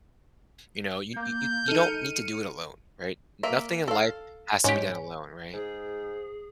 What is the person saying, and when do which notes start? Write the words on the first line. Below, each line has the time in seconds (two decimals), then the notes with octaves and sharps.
you know, you you you don't need to do it alone, right? N nothing in life has to be done alone, right?
1.16 A#3 G6
1.68 D#4 A4 F6 C#7 D#7
3.43 A#3 E5
3.88 A4 F5
4.64 G#2 C#4 G4
5.53 G#2 G#4